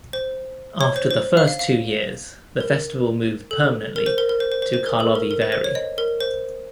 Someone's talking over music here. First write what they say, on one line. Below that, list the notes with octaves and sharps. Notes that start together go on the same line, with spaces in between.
After the first two years the festival moved permanently to Karlovy Vary.
C5
C#5
C5
C5
F5
F5
F5
A#4
A4
A#4
C5
A#4
A#4
C5
C5
C5
C5
A#4
A4
A#4
A#4
C5
C5
C#5
D#5
A#4
C5